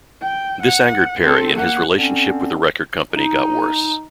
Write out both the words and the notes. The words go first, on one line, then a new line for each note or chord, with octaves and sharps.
This angered Perry and his relationship with the record company got worse.
G5
F#5
C4 A4
A#3 F#5
D3 C4 C#4
D#4